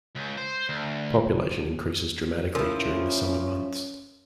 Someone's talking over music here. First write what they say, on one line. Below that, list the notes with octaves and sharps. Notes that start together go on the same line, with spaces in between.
Population increases dramatically during the summer months.
C#2
C5
D2
F3 C#4 E4 A#4